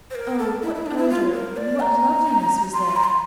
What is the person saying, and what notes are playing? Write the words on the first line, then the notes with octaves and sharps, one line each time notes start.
Oh, what odour and what loveliness was there!
C5
A#4
A4
E4
E4
D4
E4
F4
A#4
D5
A#5
C6
A#5
C6